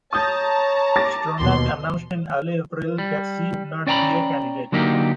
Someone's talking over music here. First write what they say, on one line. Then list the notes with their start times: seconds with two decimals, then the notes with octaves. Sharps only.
Stronach announced in early April that she would not be a candidate.
0.13 C#5 A5 A#5 D#6 G6 A6
0.96 D6 A6 A#6
1.40 D#2 B2 C6
2.98 G3
3.87 C#4 D5 G5 G#5 A#5 B5
4.72 D3 F#3 A#3 D#4 G4